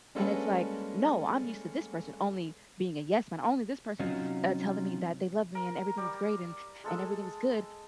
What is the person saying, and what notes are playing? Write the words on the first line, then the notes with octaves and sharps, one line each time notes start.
and it's like, "No, I'm used to this person only being a yes man, only; this person, uh, telling me that they love me and everything's great and a and everything's good."
G3 G#3 A#3 C#4 A4 B4
C3 F#3 C#4 D#4 F4
A#4
G3
G#3 A4 E6